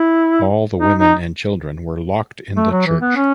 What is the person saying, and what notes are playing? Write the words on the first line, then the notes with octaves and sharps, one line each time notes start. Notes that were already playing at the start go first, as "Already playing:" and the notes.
All the women and children were locked in the church.
Already playing: E4
D#4
D#4
A3
F#3
E3
B3
C#4